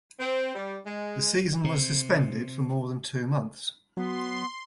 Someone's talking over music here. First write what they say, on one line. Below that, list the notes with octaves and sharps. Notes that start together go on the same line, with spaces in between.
The season was suspended for more than two months.
C4
G3
G#3
C3
F#3 B3 C6